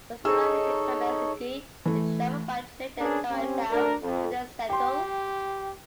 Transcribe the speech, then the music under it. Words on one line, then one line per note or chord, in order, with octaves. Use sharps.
First arriving in Quebec City, they travelled by train to Toronto where they settled.
D#4 G#4 A4 C#5 E6
E3 A3
C#4 D4 G#4 A#4 B4
C4 C#4 G4
D2 D4 A#4
F2
G4 G5 C6